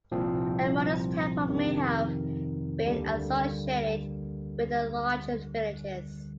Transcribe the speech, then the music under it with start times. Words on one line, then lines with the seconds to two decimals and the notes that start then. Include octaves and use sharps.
A modest temple may have been associated with the larger villages.
0.12 C2 A#2 F3 C4
1.48 F2 C3 D#3
2.84 D2 D3 G3 A#3